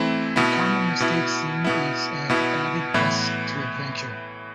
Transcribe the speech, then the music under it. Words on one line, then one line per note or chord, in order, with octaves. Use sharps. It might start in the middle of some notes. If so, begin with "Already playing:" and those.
A common mistake seen is an added 's' to 'Adventure'.
Already playing: E3 A3 C4 E4
B2 B3 E4
B2 B3 E4
B2 B3 E4
B2 B3 E4
A2 E3 B3 E4